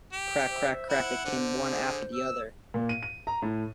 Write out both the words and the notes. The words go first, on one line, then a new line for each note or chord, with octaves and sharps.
Crack, crack, crack, they came one after the other.
G4
C5 E5
E4 F#5
D3 C5
G#4
E6
A#2
D#7
D#7
A#5
A2